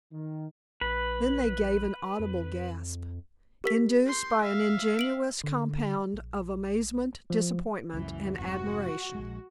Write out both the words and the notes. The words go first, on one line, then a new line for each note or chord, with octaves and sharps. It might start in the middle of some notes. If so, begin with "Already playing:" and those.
Then they gave an audible gasp, induced by an ingenuous compound of amazement, disappointment, and admiration.
D#3
A#1 B4
F2
G4 A#4 B6
C6 G6
E5 F5
D7 F#7
D3
A#1
F3
C#2 F#2 E3
F1 G#2 C3 F#4
A#1 G#3